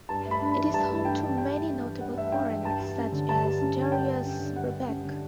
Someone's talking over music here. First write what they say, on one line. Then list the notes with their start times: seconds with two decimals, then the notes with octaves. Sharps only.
It is home to many notable foreigners, such as Darius Brubeck.
0.09 G2 A5
0.26 A3
0.31 B5
0.41 D4
0.52 B5
0.58 E3
0.74 G2 A5
0.89 A3
1.05 D4 G5
1.21 E3
1.38 G2 G5
1.53 A3
1.69 D4
1.85 E3
2.00 G2 F#5
2.17 A3 E5
2.32 D4 G5
2.50 E3
2.64 G2 A5
2.81 G3
2.96 C#4
3.12 D3
3.29 G2 A5
3.44 G3
3.61 C#4
3.77 D3
3.92 G2 G5
4.08 G3
4.24 C#4
4.40 D3
4.56 G2 F#5
4.72 G3
4.88 C#4
5.05 D3